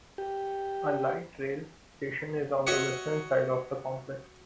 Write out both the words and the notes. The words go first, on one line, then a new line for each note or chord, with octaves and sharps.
A light rail station is on the western side of the complex.
G4
F#4 C#5 D#5 E5 F#5